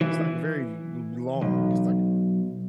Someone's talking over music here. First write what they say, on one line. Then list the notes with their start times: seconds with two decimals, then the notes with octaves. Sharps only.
it's like very l long, it's like
0.01 E3
1.41 B1